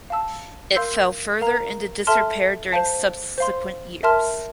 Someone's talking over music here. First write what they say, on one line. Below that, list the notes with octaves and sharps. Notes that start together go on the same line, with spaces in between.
It fell further into disrepair during subsequent years.
F5 A5 E6
A#4 F5 C6 E6 G6
A#4 F5 A#5
A4 E5 A5 C6 F6
C5 F5 A5
C5 F5 C6
A#4 E5 A5 C6 F6